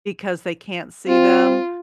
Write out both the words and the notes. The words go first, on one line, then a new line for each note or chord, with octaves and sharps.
because they can't see them,
C4 F4